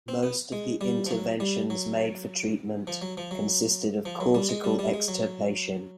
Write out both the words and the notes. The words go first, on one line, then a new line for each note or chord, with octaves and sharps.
Most of the interventions made for treatment consisted of cortical extirpation.
C4
B3
G#3
G3
F3
F#3
G3
F#3
F3
F#3
F3
F#3
F3
F#3
G3
G#3
G3
G3
G#3
F#3